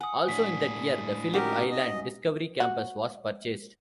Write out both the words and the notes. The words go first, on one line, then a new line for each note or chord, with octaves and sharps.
Also in that year the Philip Island Discovery Campus was purchased.
F#5 G#5 D#6
A2 D4 B6
C#4 D#4 F#4 G4 A#4
D#5
F#4